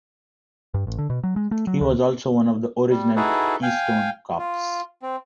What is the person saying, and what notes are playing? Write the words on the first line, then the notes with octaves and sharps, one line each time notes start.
He was also one of the original Keystone Kops.
G2
A1
D3
B2
F#3
G#3
A3
F#3
D2
G3
D#4 E4 F#4 G#4 A4 B4
F5 G5 G#5
F4
C4